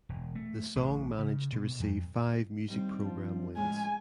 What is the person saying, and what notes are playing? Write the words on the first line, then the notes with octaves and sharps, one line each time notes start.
The song managed to receive five music program wins.
E1
A3
A1
C#3
B2
F2
D#2 G3 C4
F3
A2 F3 G#3 C#4 G#5